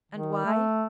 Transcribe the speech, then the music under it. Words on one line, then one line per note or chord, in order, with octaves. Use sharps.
And why?
D#3
A3